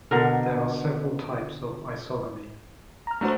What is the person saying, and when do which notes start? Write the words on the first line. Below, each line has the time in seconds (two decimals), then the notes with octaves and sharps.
There are several types of isogamy.
0.11 B2 D3 A#4
3.07 A#5 F6
3.21 A3 D4 F#4 C5 A#5